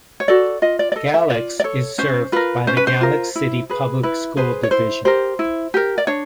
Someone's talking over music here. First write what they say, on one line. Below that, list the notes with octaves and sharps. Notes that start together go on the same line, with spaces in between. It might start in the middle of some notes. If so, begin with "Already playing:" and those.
Galax is served by the Galax City Public School Division.
C#5
F#4 A4 D5
F4 D#5
D5
D5
A4 D#5
E5
F4 D5
D5
A4 C#5
C#4 C5
F4 A#4 B4
C#4 C5
B4
C5
F4 A#4
E4
G#4 B4
E4 B4
G#4 B4 C5
C#5
E4 C5
G4 A#4 C5
E4
G4 A#4
D5
D4 C#5